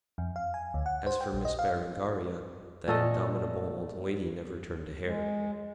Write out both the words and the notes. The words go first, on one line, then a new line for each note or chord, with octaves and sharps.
As for Miss Berengaria, that indomitable old lady never turned a hair.
F2
F5
G#5
D2
F#5
C5
G5
A#1
D#5
F5
A#2 A3 A4 D#5
G#3